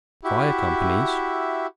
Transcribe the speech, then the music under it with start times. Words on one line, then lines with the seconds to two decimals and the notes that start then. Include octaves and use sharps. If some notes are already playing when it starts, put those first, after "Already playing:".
Fire Companies.
0.24 E4 F#4 G4 E5